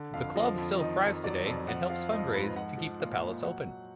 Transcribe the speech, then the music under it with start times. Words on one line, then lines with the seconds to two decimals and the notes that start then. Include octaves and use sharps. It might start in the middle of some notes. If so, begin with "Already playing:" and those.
The Club still thrives today and helps fundraise to keep the Palace open.
Already playing: D3
0.14 F2 F5
0.36 F3 D#5
0.58 F2
0.79 D#3 D#5
1.02 F2
1.24 F#3 D5
1.45 F2
1.68 F3 F#5
1.90 F3 F5
2.12 G#2 D#5
2.33 G#2 B4
2.56 F3 F#5
2.78 F3
3.00 A#2 F5
3.22 A#2
3.44 F#3 F#5